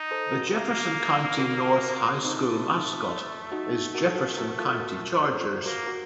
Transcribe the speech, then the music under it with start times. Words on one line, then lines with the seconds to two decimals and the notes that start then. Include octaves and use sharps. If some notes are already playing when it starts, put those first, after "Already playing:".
The Jefferson County North High School mascot is Jefferson County Chargers.
Already playing: D#4
0.11 A4 C5
0.32 F#4 A#4
0.54 A#3
1.38 F#4 A#4
2.24 A3 C4 D#4
3.52 D#4 F#4
3.95 F#4 A#4
4.06 A4
4.16 F#4 A#4
4.37 F#4 A#4
4.59 F4 A4
4.80 F#4 A#4
5.17 A#4
5.23 A4 C5
5.65 A#3 F#4 A#4
5.86 F#4 A#4